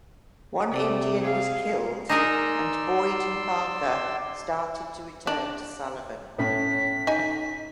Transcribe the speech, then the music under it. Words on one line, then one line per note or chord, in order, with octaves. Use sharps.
One Indian was killed, and Boyd and Parker started to return to Sullivan.
C3 A3 D5
G#4 F5
D#4 G#4 A#4 D5 C6 E6
D4
A2 C#4 B6
D#4 G#5